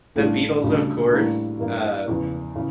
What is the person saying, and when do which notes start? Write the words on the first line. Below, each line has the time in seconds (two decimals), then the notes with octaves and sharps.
The Beatles, of course, um,
0.16 A1 A2 G3 D4 F4
0.64 D2 C#3 G3 D4
1.11 A2 E3 G3 A#3 D4
1.59 G2 E3 A#3
2.08 E2 C#3 F3
2.55 C#3 E3